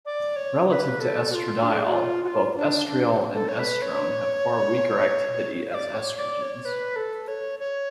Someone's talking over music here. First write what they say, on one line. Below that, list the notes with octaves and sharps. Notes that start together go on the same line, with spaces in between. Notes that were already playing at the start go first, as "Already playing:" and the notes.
Relative to estradiol, both estriol and estrone have far weaker activity as estrogens.
D5
C#5
C#5
B4
A4
F#4
F4
D4
A4
G#4
F#4
F4
F#4
F4
D4
D4
A4
C#5
B4
C#5
F5
D5
C#5
D5
C#5
B4
A4
C#5
C#5